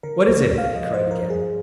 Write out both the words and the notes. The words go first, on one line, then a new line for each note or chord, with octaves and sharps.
"What is it?" he cried again.
D3 A#4
C5
D2
D2
F5
F3 D#5
C5
F3
A#4
G2
G#4